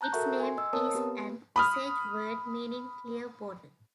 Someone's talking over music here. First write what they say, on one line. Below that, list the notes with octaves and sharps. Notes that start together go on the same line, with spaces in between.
Its name is an Osage word meaning clear water.
A5 A#5 F#6 G6
F#4 A4 A#4 E5 F#5 C#6
G#5 C6
D#5 E6
C4 A#4 C#5 A5 D#6
B3 G4 B4
B5 D#6 F6